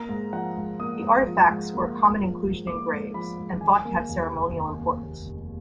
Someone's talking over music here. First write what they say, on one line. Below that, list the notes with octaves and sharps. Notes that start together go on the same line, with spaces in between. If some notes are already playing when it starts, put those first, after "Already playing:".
The artifacts were a common inclusion in graves and thought to have ceremonial importance.
Already playing: A#3 A#5
G#2
F3 F#5
G#2
A#3 D#6
G#2
F3
G#2
A#3
G#2
F3
G#2
A#3 D6
G#2
F3 B5
G#2
D#3 G#5
A#3
D#2
F1
D#3
A#3
D#2
F1